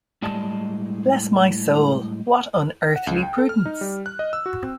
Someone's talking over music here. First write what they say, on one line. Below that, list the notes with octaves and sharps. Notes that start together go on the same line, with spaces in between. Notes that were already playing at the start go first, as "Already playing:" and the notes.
Bless my soul, what unearthly prudence!
A2 G3 G#3 D5 D#5 A5
F#5
C#2
G5
A4
F6
D#4
G3
F#6
D#5
E6
F#4
C4